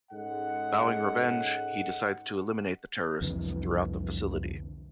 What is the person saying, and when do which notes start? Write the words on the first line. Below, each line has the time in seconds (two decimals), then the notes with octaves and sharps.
Vowing revenge, he decides to eliminate the terrorists throughout the facility.
0.12 G#2 G#3 C#4 A4 F#5
3.21 C2 F2 D3 E3